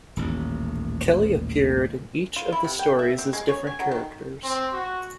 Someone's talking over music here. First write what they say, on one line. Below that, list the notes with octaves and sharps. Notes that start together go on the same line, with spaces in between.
Kelly appeared in each of the stories as different characters.
D#1 A1
F4
E4
C3
G5
E5
C4
G#3
C#5
G#5
F#3
D#3
C4
F#4